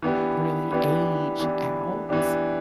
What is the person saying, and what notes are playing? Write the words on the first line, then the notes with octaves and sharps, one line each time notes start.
really age out.
E3 B3 D4 G4
E3 B3 D4 G4
E3 B3 D4 G4
E3 B3 D4 G4